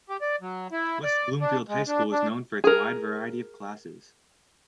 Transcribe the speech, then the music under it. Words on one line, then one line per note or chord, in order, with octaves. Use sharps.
West Bloomfield High School is known for its wide variety of classes.
G4
D5
F#3
E4
D5
D4
G#3
D4
D4
G#4 A#4